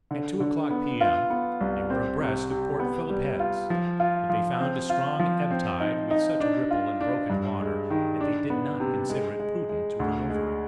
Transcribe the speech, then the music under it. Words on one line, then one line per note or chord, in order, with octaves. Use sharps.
At two o'clock p.m. they were abreast of Port Philip Heads; but they found a strong ebb tide, with such a ripple and broken water that they did not consider it prudent to run over it.
D3
D3
B3
F4
B3
C2
C4
C3
C3
B3
G3
F4
F3
F4
F3
C4
F4
F3
C4
D#4
D#4
D4
F4
D4
G2
G#3
D#3
D4
B3
C3
G#3
G#3
G#3
D2
G#3